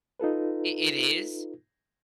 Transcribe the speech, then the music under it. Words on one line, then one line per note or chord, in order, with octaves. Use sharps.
I it is?
D#4 F4 A4 B4